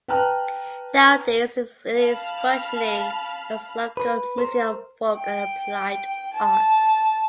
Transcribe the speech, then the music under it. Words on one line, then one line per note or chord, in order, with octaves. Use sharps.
Nowadays it is functioning as local Museum of Folk and Applied Arts.
B4 G5 A5 A#5 F6 F#6
F5 A5 B5 F6
B4
A#4 C5
G5
A5